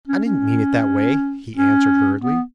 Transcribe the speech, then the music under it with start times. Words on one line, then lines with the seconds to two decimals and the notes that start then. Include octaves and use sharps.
'I didn't mean it that way,' he answered hurriedly.
0.08 C#4
0.25 C#4
1.56 C#4
2.22 B3